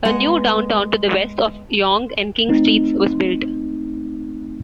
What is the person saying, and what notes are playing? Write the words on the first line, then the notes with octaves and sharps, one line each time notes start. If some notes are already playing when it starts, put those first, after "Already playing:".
A new downtown to the west of Yonge and King Streets was built.
G#3 B3 F#5
A3 C4 D#4